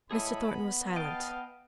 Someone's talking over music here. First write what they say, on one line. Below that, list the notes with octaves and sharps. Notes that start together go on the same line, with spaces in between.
Mr. Thornton was silent.
A2 G#4 A4 D#5 B5
B3
D#5 F5 G5 A5